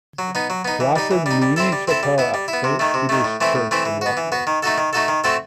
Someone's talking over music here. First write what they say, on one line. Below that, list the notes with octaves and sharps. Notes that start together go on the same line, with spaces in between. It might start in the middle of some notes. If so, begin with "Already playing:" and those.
Placide Louis Chapelle at Saint Peter's Church in Rockville.
F#3
B3 D#4
F#3
B3 D#4
E3
G3 D#4
E3
G3 D#4
G3
C4 E4 A4
G3
C4 E4 A4
G3
B3 E4
G3
E4
B3
C3
D#3 A3
C3
D#3 A3
A2
E3 A3 C4 E4
A2
E3 A3 C4 E4
E3
B3 F#4
E3
B3 F#4
D#3
A3 D#4 F#4 A4
D#3
A3 D#4 F#4 A4
D#3
A3 C4 F#4 A4